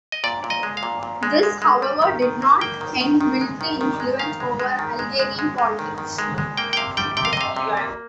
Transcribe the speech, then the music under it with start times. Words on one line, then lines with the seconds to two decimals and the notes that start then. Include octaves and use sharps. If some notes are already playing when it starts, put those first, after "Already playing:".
This, however, did not end military influence over Algerian politics.
0.12 D#5
0.24 A#2 D5
0.44 A#2
0.50 D#5
0.63 G#3
0.77 F5
0.83 A#2
1.03 A#2
1.23 G#3
1.43 G#3
1.62 G#3
1.82 G3
2.02 D#3
2.22 D#3
2.42 A#3
2.61 A#3 G5
2.81 D#3
3.01 D#3
3.21 D#3
3.41 G#3
3.61 D#3
3.81 D#3
4.00 G#3
4.19 D#3 F5
4.40 G#3
4.60 G#3
4.79 D#3
4.99 G#3
5.19 G#3
5.39 G#3
5.58 G#3
5.79 D#3
5.98 D#3
6.18 G#3
6.38 G#3
6.57 A#3 G5
6.73 G5
6.77 C3 F5
6.97 G3 G5
7.17 C3 G5
7.25 F5
7.33 D#5
7.37 C3 F5
7.56 C3
7.77 A#3